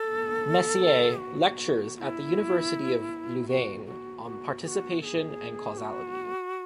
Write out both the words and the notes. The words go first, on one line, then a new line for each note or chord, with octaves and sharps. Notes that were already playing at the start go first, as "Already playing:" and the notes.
Mercier lectures at the University of Louvain on "Participation and Causality".
Already playing: A4
F#4
F#4
E4
F#4
F#4
F#4
G#4
F#4
A4
G#4
F#4